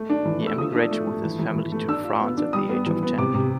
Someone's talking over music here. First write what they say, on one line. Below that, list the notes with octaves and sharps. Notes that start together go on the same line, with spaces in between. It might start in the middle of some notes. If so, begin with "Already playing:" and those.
He emigrated with his family to France at the age of ten.
Already playing: A3
D4
E3
A3
E6
F3 D#6
D4
A3
A3
E3
E3
E3
A3
D4 E6
F4
B3
D4
G3 D#6
B3
E3
B3
C3 D6
C3